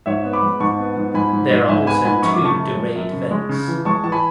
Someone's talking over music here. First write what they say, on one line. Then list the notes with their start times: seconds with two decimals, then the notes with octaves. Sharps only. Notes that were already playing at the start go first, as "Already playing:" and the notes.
There are also two Dorade vents.
0.06 G#2 C#5 E5
0.24 B3
0.33 B5 D6
0.43 G#3
0.60 G#2 A5 C#6
0.78 B3
0.96 G#2
1.14 G#2 G#5 B5
1.33 G#2
1.50 G#2
1.68 G#2 E5 G#5
1.87 B3 G#5 B5
2.05 G#2 G#5 B5
2.23 F#2 C#6
2.34 D6
2.41 C#3 A5 C#6
2.60 F#2
2.77 G#3
2.96 F#2
3.13 C#3
3.31 G#3
3.49 C#3
3.68 E3
3.85 G#3 A5 C#6
4.03 E3 A5
4.12 G#5 B5